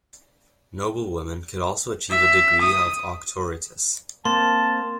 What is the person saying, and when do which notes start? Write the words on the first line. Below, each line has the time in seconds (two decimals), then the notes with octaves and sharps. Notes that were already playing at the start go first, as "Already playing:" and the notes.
Noble women could also achieve a degree of Auctoritas.
2.11 E5
2.61 D#6
4.25 A#3 C4 A5 C6